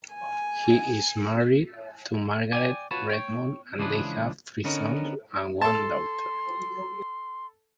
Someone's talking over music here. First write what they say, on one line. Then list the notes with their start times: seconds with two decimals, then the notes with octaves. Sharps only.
He is married to Margaret Redmond and they have three sons and one daughter.
0.13 G#5
2.53 D5 G5 G#5
2.91 F4 F#4 B4 C#5 A5
3.10 C#5 G5
3.78 C#2 E3 F3 D4 G#4 B4
4.64 D3 B3 C#4 D#4 A#4
5.61 A4 A5 C6